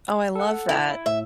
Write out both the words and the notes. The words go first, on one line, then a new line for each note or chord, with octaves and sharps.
Oh, I love that.
A4 F#5
E4
A2 E5